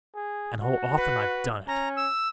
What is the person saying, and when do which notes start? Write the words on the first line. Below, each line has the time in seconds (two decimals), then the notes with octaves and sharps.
And how often I've done it!
0.15 G#4
0.62 F#4
0.97 B4
1.68 C#4 A#5
1.96 E6